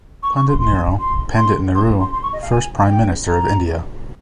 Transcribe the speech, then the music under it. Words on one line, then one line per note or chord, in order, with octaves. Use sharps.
Pundit Nero - Pandit Nehru, first Prime Minister of India.
C#6
C#6
C6
C6
C6
C6
C6
C6
C6
C#6
D#5
F5
G#5
G5
A#5